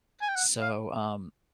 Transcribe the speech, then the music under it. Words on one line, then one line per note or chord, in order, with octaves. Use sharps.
So, um
G#5
G5
F#5
F5